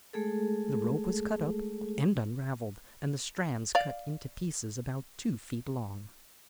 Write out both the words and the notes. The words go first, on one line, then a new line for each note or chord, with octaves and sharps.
The rope was cut up and unravelled, and the strands cut into pieces about two feet long.
G#3 A3 G#4 A4
D5 F5